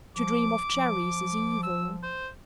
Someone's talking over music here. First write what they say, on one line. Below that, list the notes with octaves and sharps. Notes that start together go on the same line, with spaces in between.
To dream of cherries is evil.
F3 D6
F3
E6
C5